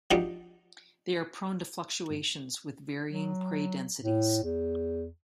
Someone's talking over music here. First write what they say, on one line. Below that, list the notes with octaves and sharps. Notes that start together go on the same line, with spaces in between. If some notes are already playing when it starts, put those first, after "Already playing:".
They are prone to fluctuations with varying prey densities.
F3 D4 D#4 F#4 G4
F#3
A2
E2